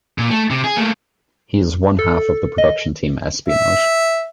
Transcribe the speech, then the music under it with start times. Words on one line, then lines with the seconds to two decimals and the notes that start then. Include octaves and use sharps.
He is one half of the production team Espionage.
0.18 A#2
0.31 A3
0.50 C3
0.64 G#4
0.77 A3 A#3
1.99 A4
2.58 D#5
3.48 E5